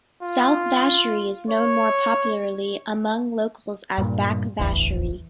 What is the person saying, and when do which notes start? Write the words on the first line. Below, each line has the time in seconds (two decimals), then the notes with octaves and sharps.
South Vacherie is known more popularly among locals as Back Vacherie.
0.23 F4
1.50 C#5
3.98 G2 A#2
4.59 D1 A1 E2